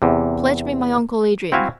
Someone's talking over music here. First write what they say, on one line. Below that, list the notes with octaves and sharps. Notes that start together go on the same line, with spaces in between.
Pledge me my uncle Adrian!
E2 C3
C4 E4 F#4 E5 F5 G#5